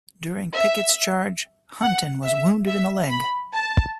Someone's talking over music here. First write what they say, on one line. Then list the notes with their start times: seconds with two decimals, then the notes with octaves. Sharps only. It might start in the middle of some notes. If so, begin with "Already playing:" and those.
During Pickett's Charge, Hunton was wounded in the leg.
0.54 E5
1.81 F#5
2.24 E5
2.67 E5
3.09 B5
3.52 A5